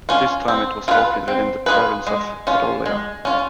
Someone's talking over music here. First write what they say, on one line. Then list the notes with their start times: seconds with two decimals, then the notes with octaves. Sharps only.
At this time it was located in the province of Podolia.
0.09 C#4 F4
0.48 C4
0.88 F4 G#4 B4
1.28 C4
1.66 F4 G#4 B4
2.07 G#3
2.47 C#4 F4
2.86 G#3
3.25 C#4 F4